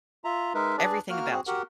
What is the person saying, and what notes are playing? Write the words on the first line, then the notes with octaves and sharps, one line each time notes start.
everything about you.
F4 E5 A#5
G#3 D#4 A#4 B4 E5
D4 G#4 B4 D5
A#3 F#4 A#4 F6
C4 F#4 G#4
F#4 G4 A#4 F#5